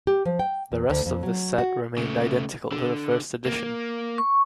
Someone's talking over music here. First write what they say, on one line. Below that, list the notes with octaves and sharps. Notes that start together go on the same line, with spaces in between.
The rest of this set remained identical to the first edition.
G4
F3
G5
E2
D2
F2
F#3
F#4
C#3 A3
D3
A#3
C#6